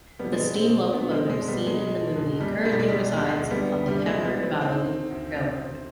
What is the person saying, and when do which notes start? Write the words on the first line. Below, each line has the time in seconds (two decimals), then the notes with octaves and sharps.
The steam locomotive seen in the movie currently resides on the Heber Valley Railroad.
0.19 B1 G3 B3
0.32 G#3
0.44 B1 B3
0.56 G#3 C4
0.69 B2
0.93 B2 B3 D4
1.11 G#3 C4
1.17 B2
1.30 G#3
1.42 B1
1.48 G3 B3
1.67 B2 G#3
1.91 B2
2.16 B1
2.40 B1 G3
2.65 B2 G#3
2.72 G3
2.80 G#3
2.89 B1 G3
3.13 D2 G#3
3.38 D2
3.50 G3 B3
3.63 D2
3.87 C3 G3
4.06 G#3
4.12 C3
4.25 G3 B3
4.37 D#3
4.43 G#3 C4
4.61 D2 C4 D#4
4.85 D#3
5.10 D2
5.35 C3
5.60 D2